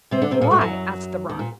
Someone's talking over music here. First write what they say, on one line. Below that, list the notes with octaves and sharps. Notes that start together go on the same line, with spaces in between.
'Why?' asked the ranee.
C3 C4
D3 D4
C3 C4
A#2 A#3
A2 A3
F#2 F#3
D#2 D#3
A#2